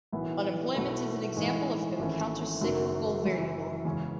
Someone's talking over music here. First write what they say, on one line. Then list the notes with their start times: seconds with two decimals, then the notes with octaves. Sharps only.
Unemployment is an example of a countercyclical variable.
0.12 B1 A2 E3 B3 E4
0.75 B1 B2 A3 E4
1.37 A2 E3 G#3 D#4
1.99 G#1 G#2 E3 A3 C#4
2.61 F#1 F#2 D#3 F#3
3.23 F#1 F#2 E3
3.85 E2 C#3 G#3 C#4